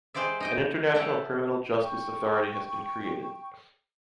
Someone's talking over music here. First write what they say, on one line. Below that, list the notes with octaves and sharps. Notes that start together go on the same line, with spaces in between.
An international criminal justice authority has been created.
G#3 G4 C5 D5 E5
D#4 D#5 G5
C#3 A4 E5 F#5 G5 A5
G5 C#6